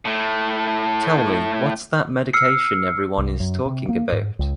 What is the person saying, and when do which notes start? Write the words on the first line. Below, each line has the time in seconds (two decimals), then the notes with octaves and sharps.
Tell me what’s that medication everyone is talking about.
0.05 A2 A3
2.33 E6 F6 C7 C#7
3.18 C2
3.40 F#2
3.66 C3
3.89 A#3
4.12 G#2
4.39 C#2